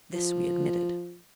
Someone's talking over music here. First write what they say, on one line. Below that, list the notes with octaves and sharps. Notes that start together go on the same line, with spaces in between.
This we admitted.
F3